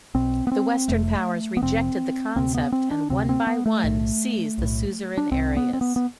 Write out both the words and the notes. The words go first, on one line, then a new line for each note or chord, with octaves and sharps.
The Western powers rejected the concept and one by one seized the suzerain areas.
B1 B2 C4
B3
C4
F1 F2 C3 A3
B3
F1 F2 C3 C4
D2 C3 C4
B3
C4
D4
D2 C3 C4
C4
B3
A3
B1 A2
B1 A2
D4
C2 C3 C4
B3
C4
B3
B3